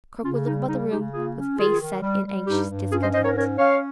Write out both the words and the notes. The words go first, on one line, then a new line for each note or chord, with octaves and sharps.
Kirkwood looked about the room with face set in anxious discontent.
C#3 C#4 F4
G3 D#4
C#3 D#4
C#3 D#4 G4
A#3 F4 G#4
C#4
D#3 F4 G#4
D#3
G3
G3
G2 D#4 G4
G2
C#4 F4 G#4
C5 D#5
G#2 C5 D#5
A#4 C#5
C#4 A#4 C#5
C#4 C#5 F5